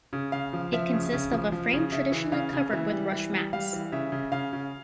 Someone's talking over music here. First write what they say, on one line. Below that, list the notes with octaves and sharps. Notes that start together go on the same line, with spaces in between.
It consists of a frame traditionally covered with rush mats.
C#3
C#3 F5
F3
F3 E5
C#3
C#3
F3
F3
C#3
C#3 E5
E3
C#3 F5
C#3
E3 E5
G3
E3
G3
G3 F5
E3
C#3 E5
C#3
C#3 F5
C#3